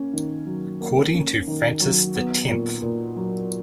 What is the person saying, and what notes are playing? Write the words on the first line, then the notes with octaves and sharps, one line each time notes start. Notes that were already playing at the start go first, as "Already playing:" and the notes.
According to Francis the Tenth.
Already playing: A#3 C#4
D#3
F#3
A#3
C#4
D#3
F#3
B3
A#2
A#2
F#3